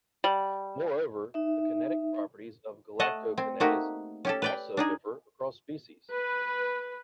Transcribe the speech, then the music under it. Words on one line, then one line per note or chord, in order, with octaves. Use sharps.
Moreover, the kinetic properties of galactokinase also differ across species.
G3
D#4 E5
A3 D#5 F#5 A5
C4
A3 A#3 D#4 F#4 G4
C#4 G4 A4
B4 D5 G5
D4 D#4 G#4
B4